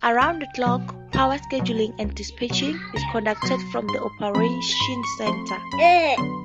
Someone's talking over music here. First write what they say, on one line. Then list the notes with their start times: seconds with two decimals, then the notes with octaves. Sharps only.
Around-the-clock power scheduling and dispatching is conducted from the Operations Center.
0.21 C#2 G5
0.66 B2 F#3
1.13 C#2 A#5
1.59 B2 F#3
2.04 C#2
2.50 B2 F#3
2.96 C#2 A#5
3.42 B2 F#3 C6
3.88 G#2 C6
4.34 F3 A3 C4 B5
4.72 B5
4.80 G#2 C6
5.03 C#6
5.26 F3 A3 C4 C6
5.49 C6
5.71 F#2 B5
6.17 D3 F#3 B3 C6